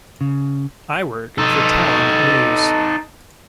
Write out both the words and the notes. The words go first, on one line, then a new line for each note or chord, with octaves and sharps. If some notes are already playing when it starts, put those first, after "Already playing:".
I work for Talon News.
C#3
D#4 A4